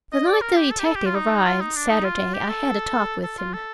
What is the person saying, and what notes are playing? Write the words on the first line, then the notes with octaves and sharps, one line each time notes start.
The night the detective arrived, Saturday, I had a talk with him.
D#5
D5
A#4
G4
A4
G4
A4
G4
F4
D#4
F4
D#4
D4
D#4
F4
G4
A4
A4
F4
A4